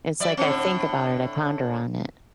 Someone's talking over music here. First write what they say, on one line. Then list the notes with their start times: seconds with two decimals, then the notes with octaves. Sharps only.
It's like I think about it. I ponder on it.
0.20 F#3 D5 E5
0.37 A2 D3 C4